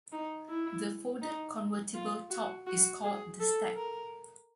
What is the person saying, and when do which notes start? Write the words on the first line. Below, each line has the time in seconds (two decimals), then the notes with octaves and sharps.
The folded convertible top is called the stack.
0.12 D#4
0.49 E4
1.22 D#4
1.94 F4
2.31 F#4
2.67 F#4
3.04 G#4
3.40 A4
3.76 A#4